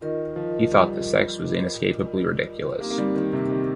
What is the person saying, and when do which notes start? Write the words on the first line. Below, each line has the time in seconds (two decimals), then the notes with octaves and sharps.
He thought that sex was inescapably ridiculous.
0.01 D#3 F4 A#4 D#5
0.36 F3
0.72 G3
2.80 A#3 C4 D#4 G4
2.91 A#3
2.98 G3
3.15 D#3
3.33 C3
3.50 D#3